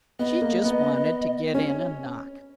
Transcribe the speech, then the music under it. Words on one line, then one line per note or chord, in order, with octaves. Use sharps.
She just wanted to get in a knock.
B3 D#5
A#3
B3
C#4 C#5